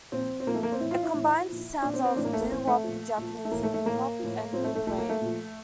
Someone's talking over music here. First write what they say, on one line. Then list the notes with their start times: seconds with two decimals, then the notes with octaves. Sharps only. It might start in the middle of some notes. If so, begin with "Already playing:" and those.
It combines the sounds of doo-wop, Japanese indie pop, and new wave.
0.12 A#2 F3 C4
0.40 C4
0.47 A#2 F3 A#3
0.54 A3
0.63 A#3
0.72 C4
0.80 A2 E3 E4
0.91 F4
1.03 E4
1.14 A2 E3
1.48 A#2 F3
1.82 A#2 F3 D4
1.94 C4
2.05 C4
2.16 A2 E3 D4
2.24 A#3
2.33 A3
2.41 A#3
2.50 A2 E3 C4
2.67 A3
2.84 A#2 F3
3.18 A#2 F3
3.45 A3
3.51 A2 E3 A#3
3.63 A3
3.74 A3
3.85 A2 E3 A#3
4.19 A2 F3
4.53 A2 F3 C4
4.64 A3
4.75 A3
4.87 A#2 F3 A3
4.98 A#3
5.09 A3
5.21 A#2 F3